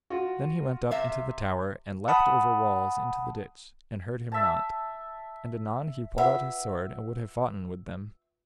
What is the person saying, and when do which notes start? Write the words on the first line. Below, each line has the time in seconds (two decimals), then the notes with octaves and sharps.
Then he went up into the tower, and leapt over walls into the ditch, and hurt him not; and anon he pulled out his sword and would have foughten with them.
0.10 F4 F#4
0.91 C3 E5 F5
2.08 F#5 A5 B5 D#6
4.32 E5 A5
6.18 F4 B4 E5 F#5